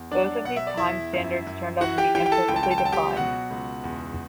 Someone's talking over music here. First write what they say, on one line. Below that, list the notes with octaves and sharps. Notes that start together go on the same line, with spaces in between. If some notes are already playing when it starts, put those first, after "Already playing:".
Both of these time standards turned out to be imperfectly defined.
Already playing: E2
F#3 D4 D5
B2 F#5
E5
D5
E2 E4 E5
F#2
F#2
E3 F#4 F#5
G4 G5
E3 G4 G5
G5
A4 A5
C#2 G5
A5
G5
A5
G5
F#3 A5
G4 G5
B2 F#4 F#5
C#2
E2